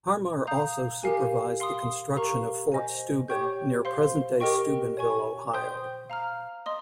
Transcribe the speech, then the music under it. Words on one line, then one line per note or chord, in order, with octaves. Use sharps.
Harmar also supervised the construction of Fort Steuben near present-day Steubenville, Ohio.
F5 A#5 D#6 G6
G4 A#4 F5 G#5
F5 C6 D#6
G4 A#4 F5 A#5 C#6
C5 D#5 G#5
G4 C#5 G5 C#6 G6
C5 F5 C6
G4 A#4 D#5 G5 C#6
C#5 G#5 C#6
C5 G5 C6 D#6 G6
F5 A#5 F6
D#5 C6 D#6